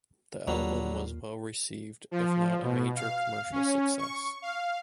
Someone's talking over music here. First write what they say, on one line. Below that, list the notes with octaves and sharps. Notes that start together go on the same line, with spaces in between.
The album was well-received, if not a major commercial success.
D#2 D3 F#3 G3 A#3 F4
F3
B2
F5
C#4
C#6
F5